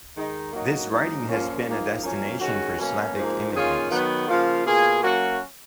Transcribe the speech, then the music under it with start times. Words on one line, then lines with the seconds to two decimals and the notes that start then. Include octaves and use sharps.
This riding has been a destination for Slavic immigrants.
0.16 D#3 G#3 D#4
0.53 F#3 A#3 D#4 F#4
0.90 G#2 F#3 A#3 D#4
1.28 A#2 F3 A#3 C#4
1.65 G#2 F3 A#3 D#4
2.02 F#2 F3 A#3 C#4
2.40 D#3 G#3 C#4 F#4
2.78 B2 F#3 A#3 C#4
3.15 G#2 F3 A#3
3.52 D#3 A#3 C#4 F4 G#4
3.90 D#3 F#3 B3
4.27 C#3 F3 A#3 F4
4.65 B2 A#3 F4 G#4
5.02 F#3 A#3 C#4 F#4